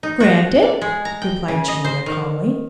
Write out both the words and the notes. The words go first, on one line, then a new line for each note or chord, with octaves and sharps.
"Granted," replied Julia calmly.
D#4
F#4
D5
G#3
A#5
G5
C#3
D#5
C5
D#3